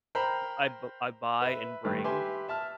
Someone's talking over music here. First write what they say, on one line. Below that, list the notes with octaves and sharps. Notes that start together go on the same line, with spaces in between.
I b I buy and bring
A#4 C5 G5 A#5 B5
B4 E5
G2 D#3 A3 B4
G4 B4 E5 G#5 C6
E5 A5 F6